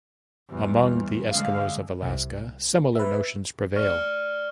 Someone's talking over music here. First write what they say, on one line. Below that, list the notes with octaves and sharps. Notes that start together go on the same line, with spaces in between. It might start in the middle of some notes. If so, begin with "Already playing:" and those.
Among the Eskimos of Alaska, similar notions prevail.
E2 G3
D3 G#3 F5
C2 C3
B4 E5
D5 C#6 F6